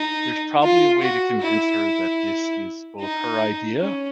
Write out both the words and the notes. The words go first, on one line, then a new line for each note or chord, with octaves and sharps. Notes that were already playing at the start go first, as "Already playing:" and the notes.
there's probably a way to convince her that this is both her idea
Already playing: D#4
F4
F#4
E4
D#4
C#4